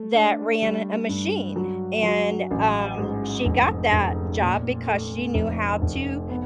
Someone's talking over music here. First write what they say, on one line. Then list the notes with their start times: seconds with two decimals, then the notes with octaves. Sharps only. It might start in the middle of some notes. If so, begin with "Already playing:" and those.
that ran a machine. And, um, she got that job because she knew how to,
Already playing: A3
0.14 D4
0.62 G3
1.09 G2
1.56 F#3
2.03 F#3
2.51 A1
2.98 G#2
3.45 F1
3.92 F1
4.40 A#2
4.87 A3
5.34 F1
5.82 F1
6.29 B3